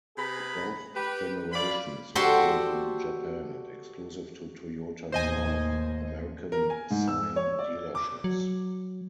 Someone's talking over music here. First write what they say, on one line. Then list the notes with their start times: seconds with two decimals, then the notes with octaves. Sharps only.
Both generations were built in Japan and exclusive to Toyota North American Scion dealerships.
0.17 C3 G#4 B4 A#5 B5
0.95 G4 B4
1.52 G2 F4 D5 B5
2.15 F#4 G4 A4 C5 D5 C6
5.12 D#2 A2 C5 D#5 G#5
6.52 A#4
6.70 G#5
6.91 G#2
7.08 E6
7.36 C#5
7.59 D5
7.95 D6
8.24 F#3